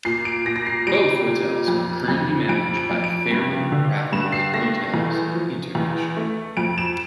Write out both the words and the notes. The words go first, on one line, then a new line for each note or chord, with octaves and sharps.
Both hotels are currently managed by Fairmont Raffles Hotels International.
A#2 C7
D7
A#2 A#6
A#6
C7
G3 D7
A#2
F2
F2
F2 D7
D7
F2
D7
G2
D3
G2 E7
C7
A3 A#6
E2
F3
E2
A3
F2 D7
E7